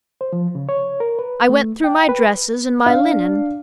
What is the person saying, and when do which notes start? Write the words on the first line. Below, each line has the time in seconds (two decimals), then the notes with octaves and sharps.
I went through my dresses, and my linen.
0.21 C5
0.33 F3
0.55 C#3
0.69 C#5
1.00 A#4
1.19 B4
1.49 A3
1.84 G5
2.09 B4
2.86 D4 F5